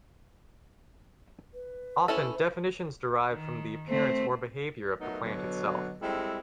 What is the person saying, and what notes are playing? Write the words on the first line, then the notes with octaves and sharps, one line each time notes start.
Often, definitions derive from the appearance or behavior of the plant itself.
B4
C#4 E4 A4
D#3
A3 C4
F#3 A3 B3 D#4 A#4
B2 D3 F#3
G3 G#3 C4 E4 A4